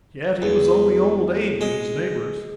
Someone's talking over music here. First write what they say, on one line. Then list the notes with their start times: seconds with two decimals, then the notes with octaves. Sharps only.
Yet he was only "Old Abe" to his neighbors.
0.42 E2
1.61 G#3